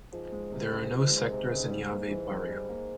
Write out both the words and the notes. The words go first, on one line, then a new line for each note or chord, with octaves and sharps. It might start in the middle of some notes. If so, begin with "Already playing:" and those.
There are no sectors in Llave barrio.
G#2 F3
G#3
C3
C#2
F3
G#3
C3
C#2
G2
G#2 G3
A#3
E3
F2
G3
A#3